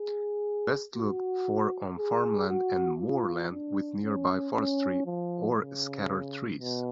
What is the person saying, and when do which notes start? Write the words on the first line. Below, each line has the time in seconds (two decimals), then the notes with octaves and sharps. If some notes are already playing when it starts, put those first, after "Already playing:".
Best looked for on farmland and moorland with nearby forestry or scattered trees.
Already playing: G#4
0.95 F#4
1.98 G#4
2.49 F#4
3.00 F4
3.53 D4
4.04 C#4
4.55 C#4
5.06 F3
5.58 C#3
6.59 B2